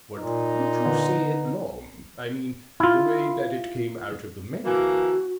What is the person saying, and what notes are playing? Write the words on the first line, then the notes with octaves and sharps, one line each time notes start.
"But would you say it long I mean the way that it came out of the mangle?"
A#2 D#4
D3 B3
E4 F4
D3 E3 A#3 F#4